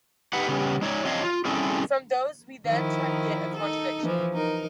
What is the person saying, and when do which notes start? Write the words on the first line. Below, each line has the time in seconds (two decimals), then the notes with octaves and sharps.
From those we then try to get a contradiction.
0.33 D#4 G4 B4 F#5
0.48 C#3 G3 B3
0.82 G#3 D#4 C#5 D5
1.05 F3 C4 D4 C#5 D#5 F5
1.23 F4
1.45 G3 C4 C#4 E4 G#4 A4
2.66 D#3 F3 E4
3.56 D#4 A4
4.03 E3 F3
4.33 D#4 A#4